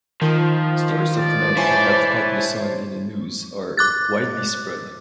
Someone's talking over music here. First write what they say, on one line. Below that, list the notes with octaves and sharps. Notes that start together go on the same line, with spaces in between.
Stories of men who have caught the sun in a noose are widely spread.
D#3 F3
D5
E4 C5 C#5 G#5 A5
D6 F#6 A6